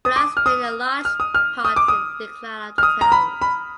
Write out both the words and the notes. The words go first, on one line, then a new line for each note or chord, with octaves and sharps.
Floods played a large part in the decline of the town.
D#6
D6
F6
D#6
F6
D#6
F6
D#6
D6
D#6
F6
D#6
A#5
B5
B5